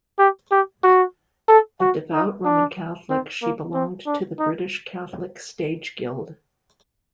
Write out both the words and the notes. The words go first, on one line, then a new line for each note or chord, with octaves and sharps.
A devout Roman Catholic, she belonged to the British Catholic Stage Guild.
G4
G4
F#4
A4
F#4
D#4
D4
C4
A#3
C4
D4
D#4